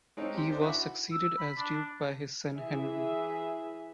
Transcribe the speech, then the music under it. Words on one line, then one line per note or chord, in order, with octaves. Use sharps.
He was succeeded as duke by his son Henry.
G#3 C4 C#4 D#4 A4
G4 C6
D4 D#4 C5
E4 F#4 E5 G#5 B5 D6
E6
B5
D4
E3 G#4 E5